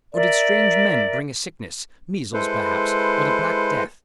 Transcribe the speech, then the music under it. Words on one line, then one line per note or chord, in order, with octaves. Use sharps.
Or did strange men bring a sickness--measles, perhaps, or the black death?
A#4 D5 E5
G#3 E4 A4 B4 C5